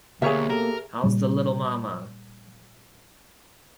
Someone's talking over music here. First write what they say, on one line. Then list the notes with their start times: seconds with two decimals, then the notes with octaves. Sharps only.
How's the little mamma?
0.22 D2 B2 A#3 G4 G#4 C#5 E5 C#6
0.50 G4 A4 A#4
1.04 A#2 G3